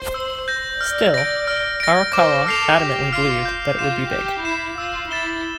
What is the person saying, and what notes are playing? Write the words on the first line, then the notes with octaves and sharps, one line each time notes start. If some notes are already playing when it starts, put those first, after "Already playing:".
Still, Arakawa adamantly believed that it would be big.
Already playing: C5
E6
G6 A#6
D5 F6
A#6 D7
F6
A#6 D7
C5 D6
A4 F6 C7 F7
G4 D6
F4 F6 C7 F7
G6
F4 C7 E7
G4 G6
E4 C7 E7
F4 E6
E4 A6 E7 G7